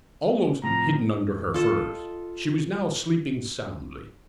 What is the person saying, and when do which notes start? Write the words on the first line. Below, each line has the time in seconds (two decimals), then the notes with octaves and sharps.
Almost hidden under her furs, she was now sleeping soundly.
0.64 A2 C3 F3 A#5
1.54 F4 A4 D#5 A5